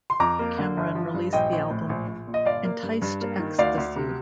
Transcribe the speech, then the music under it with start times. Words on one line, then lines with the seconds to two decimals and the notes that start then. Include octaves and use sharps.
Cameron released the album "Enticed Ecstasy".
0.10 C6
0.20 F2 A#5 D6
0.39 A#3
0.58 D3
0.77 G1
0.95 F3
1.14 G2
1.33 A#1 D#5 G5
1.52 A#1
1.71 A2
1.89 A#1
2.08 A#1
2.27 A#2
2.34 D#5
2.45 G1 D5 F5
2.65 A#3
2.83 G2
3.02 G2
3.21 A#3
3.39 D#3
3.58 D2 D5 F5
3.77 D2
3.96 C3